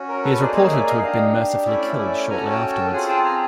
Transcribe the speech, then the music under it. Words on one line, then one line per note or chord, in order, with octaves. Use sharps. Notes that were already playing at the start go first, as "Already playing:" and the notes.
He is reported to have been mercifully killed shortly afterwards.
Already playing: C#4 F#4
A#4
A4 B4
A#3 D#4 G#4 C5 D5
C#5 D#5
D5 E5
D#5 F5
D4 G4 D#5 F5
A3 C#4 E4 D5 E5
D5 E5
C#4 F#4 A4 G#5 A#5
G5 A5
G5 A5
C4 F4 G#4 F#5 G#5
G5 A5
G#5 A#5